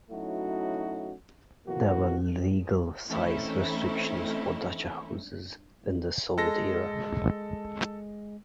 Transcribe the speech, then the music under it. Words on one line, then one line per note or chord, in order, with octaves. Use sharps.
There were legal size restrictions for dacha houses in the Soviet era.
F#3 A3 C#4 D#4 E4 F#4
F2 B2 E3 F#3 A#3 F#4
E3 A3 C4 C#4 D#4 E4
G#3 A4 A#6